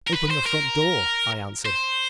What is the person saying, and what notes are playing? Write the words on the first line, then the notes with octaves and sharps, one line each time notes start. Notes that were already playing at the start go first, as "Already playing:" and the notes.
"Open the front door," I answered.
A#4
B4
C5
A#4
C5